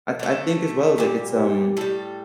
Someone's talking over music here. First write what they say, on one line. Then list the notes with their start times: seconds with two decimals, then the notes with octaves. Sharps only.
I I think as well, like, it's, um
0.19 D3 A3
0.98 A#2 G3
1.77 A2 G3 A4